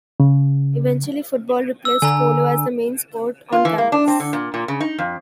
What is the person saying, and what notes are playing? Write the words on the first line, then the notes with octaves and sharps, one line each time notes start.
Eventually, football replaced polo as the main sport on campus.
C#3
E6
D3 G#5 A#5
F4
E3
A#3
D4
C4
D3
A#2
A#2
C#3
D#4
F2